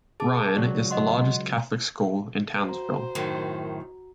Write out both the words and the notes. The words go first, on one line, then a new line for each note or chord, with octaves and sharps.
Ryan is the largest Catholic school in Townsville.
G#4 A5 D6
C#2 F#3 D5
D#5 F#5 C6
F#4 C5 A#5
F#2 A2 D#3